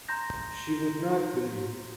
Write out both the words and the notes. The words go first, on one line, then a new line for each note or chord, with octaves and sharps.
She would not believe.
A#5 C6 G6 A#6